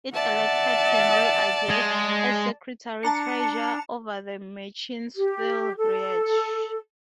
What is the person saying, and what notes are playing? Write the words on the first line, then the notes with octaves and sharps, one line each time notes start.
It elected Henry Agee as secretary-treasurer over the Machine's Phil Reich.
D5 E5 F#5 A5
G#3
D4 A5 A#5 C#7
G4
A4